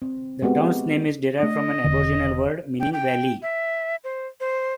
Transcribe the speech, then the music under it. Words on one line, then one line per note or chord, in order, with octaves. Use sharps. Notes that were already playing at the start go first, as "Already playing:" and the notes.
The town's name is derived from an aboriginal word meaning "valley".
C4
G#3 B3 C4 F#4 G4
A3 D4 D#5
E1 D3
G5
G5
E5
C5
C5